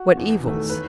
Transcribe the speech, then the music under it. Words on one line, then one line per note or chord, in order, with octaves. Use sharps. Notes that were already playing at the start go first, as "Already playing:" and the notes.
What evils?
Already playing: F#4
E2
D#3 A3
B4